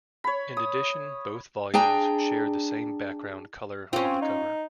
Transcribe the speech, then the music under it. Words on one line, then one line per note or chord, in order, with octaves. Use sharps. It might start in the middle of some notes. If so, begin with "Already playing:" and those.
In addition, both volumes share the same background color on the cover.
C#5 B5
D#6
D4 G#4 G5 A#5
C4 C#4 F4
D#4